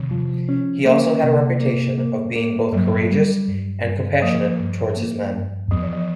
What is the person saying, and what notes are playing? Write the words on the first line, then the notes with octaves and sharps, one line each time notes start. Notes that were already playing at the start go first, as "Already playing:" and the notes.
He also had a reputation of being both courageous and compassionate towards his men.
Already playing: C3 D#3
F3
C#4
A#3
C3
A#3
A#3
A#3
G2 F#3
G3
G2
G2
F3 A#3
G2
A#3
G2
F3 B3
E3
F3